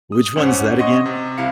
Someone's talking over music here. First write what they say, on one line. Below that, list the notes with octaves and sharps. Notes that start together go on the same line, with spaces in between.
Which one's that again?
D#6
C#2 G#2 C#4 C5 F#5
D#5 F#5 C6 C#6 D#6 A#6
C3
C2 C3 E4 F5 C#7